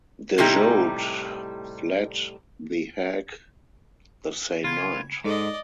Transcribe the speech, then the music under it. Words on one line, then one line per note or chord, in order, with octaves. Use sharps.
De Jode fled The Hague the same night.
A2 C3 G3 D#4 E4 G4
C#3 F4 B5 G#6
G#2 G#3 D#4 A4 D5 D#5